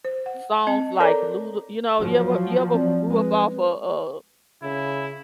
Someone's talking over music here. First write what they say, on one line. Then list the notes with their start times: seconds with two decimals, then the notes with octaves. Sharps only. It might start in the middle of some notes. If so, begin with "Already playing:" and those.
songs like, Luther you know, you ever you ever grew up off of, uh,
0.05 C5
0.26 F#5
0.67 C4 D#5 A5
1.00 A4 A#4 C#5 D5 A#5 D6
1.99 F3 F#3 F#4
2.74 C4 D5
3.10 G#3 B4
4.62 C#3 E4